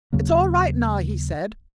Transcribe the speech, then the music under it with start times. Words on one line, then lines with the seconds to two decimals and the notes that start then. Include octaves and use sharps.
"It's all right now," he said.
0.13 D#2 C#3 F#3 A#3